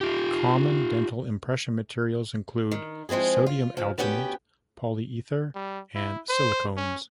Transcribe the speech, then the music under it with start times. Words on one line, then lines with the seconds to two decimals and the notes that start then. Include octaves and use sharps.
Common dental impression materials include sodium alginate, polyether, and silicones.
0.01 F4 G4
2.71 D#3
3.09 F3 G#3 C4 E4 G#4
3.46 F4
3.77 C#3 F3
3.98 D2 B3 C#4 G4 F#5 G5
5.55 G3
5.96 E4
6.29 C5
6.77 C#4